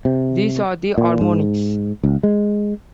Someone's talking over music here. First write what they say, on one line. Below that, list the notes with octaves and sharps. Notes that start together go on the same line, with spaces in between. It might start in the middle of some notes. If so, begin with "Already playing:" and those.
These are the harmonics.
C3
A#2
G#2
C#2
G#3